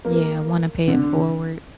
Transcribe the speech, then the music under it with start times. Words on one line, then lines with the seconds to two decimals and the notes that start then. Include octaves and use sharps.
Yeah, wanna pay it forward.
0.05 A#3
0.88 D3